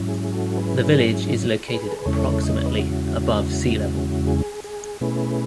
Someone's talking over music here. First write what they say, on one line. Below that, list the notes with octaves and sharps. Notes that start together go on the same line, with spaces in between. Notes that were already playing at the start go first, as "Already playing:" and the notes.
The village is located approximately above sea level.
Already playing: G#2 F#3 C#4 E4
G#4
G#4
F#4 A4
G#4 B4
G#4
G#4 B4
A4
B4
E2 C#3 G#3 C#4 E4 A4 C#5
D#5
C#5
B4 D#5
F#4
G#4
G#4
B2 A3 C#4 E4 G#4 B4